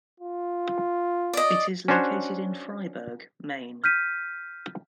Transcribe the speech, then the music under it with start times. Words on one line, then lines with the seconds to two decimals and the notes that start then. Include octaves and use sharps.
It is located in Fryeburg, Maine.
0.20 F4
1.33 D5 D#5
1.88 C#4 D4 F#4 C5 C#5
3.84 F6 G6 B6 D#7